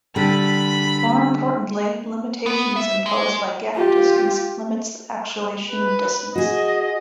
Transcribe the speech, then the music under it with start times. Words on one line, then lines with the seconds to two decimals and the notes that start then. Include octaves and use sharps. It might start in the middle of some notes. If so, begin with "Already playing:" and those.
More importantly, limitations imposed by gap distance limits the actuation distance.
0.16 D3 G3 B5
2.46 B3
2.76 E5
3.06 G#3
3.75 F4 G4
5.70 B4
6.36 F#4 G#4 D#5